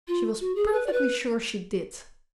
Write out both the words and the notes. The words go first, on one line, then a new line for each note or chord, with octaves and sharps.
She was perfectly sure she did.
F4
F#4
G#4
B4
D5
B4